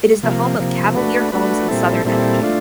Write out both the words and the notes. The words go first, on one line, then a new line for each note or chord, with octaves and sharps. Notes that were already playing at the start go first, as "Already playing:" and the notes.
It is the home of Cavalier Homes and Southern Energy.
C3 F3 A#3
C3 F3 A#3
A3 D4 F#4 B4
A3 D4 F#4 B4
A#2 G3 C4 E4 A4
A#2 G3 C4 E4 A4
A3 D4 F4